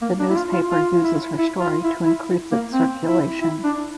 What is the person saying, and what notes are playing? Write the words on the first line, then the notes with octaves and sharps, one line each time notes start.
The newspaper uses her story to increase its circulation.
A#3
D4
E4
F4
F4
F4
E4
E4
F4
E4
E4
A#3
C4
E4
E4
D4